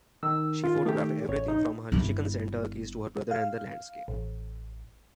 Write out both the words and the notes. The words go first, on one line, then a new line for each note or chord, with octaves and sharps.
She photographed everything from her chickens and turkeys to her brother and the landscape.
D#3 E6
F4
A3 G4
A1 C#5
D#4
G1 E4
F5
A1